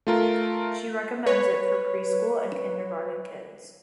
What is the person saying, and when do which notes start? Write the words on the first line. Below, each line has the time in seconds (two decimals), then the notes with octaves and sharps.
She recommends it for preschool and kindergarten kids.
0.07 A3 F4 A#4
1.26 B4 C#5